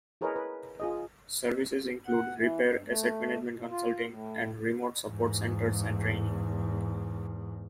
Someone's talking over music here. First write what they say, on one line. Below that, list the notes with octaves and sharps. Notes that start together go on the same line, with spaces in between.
Services include repair, asset management consulting and remote support centers and training.
E4 G#4 A#4 B4 C#5 D#5
B4
F4 G#4 D#5
F#5
E3
G2
A3
B2
F4
A2
E2 G#2